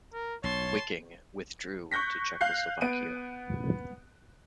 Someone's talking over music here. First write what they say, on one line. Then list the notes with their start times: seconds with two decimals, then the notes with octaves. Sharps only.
"Wiking" withdrew into Czechoslovakia.
0.13 A#4
0.44 B1 C#5 A5 C6
1.91 C#6 F#6 G6 A#6 B6
2.41 F5 F#6 G6 C7
2.81 B3 D7 D#7